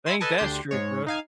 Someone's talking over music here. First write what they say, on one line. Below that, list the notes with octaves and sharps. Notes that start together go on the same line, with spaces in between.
they ain't that strict, bro.
E5 G#5 B5 C6
A4 B4 D#5 G#5 A5
D2 D4 G4 C6 G6
G#2 G#3 C#5
D#4 F5 G#5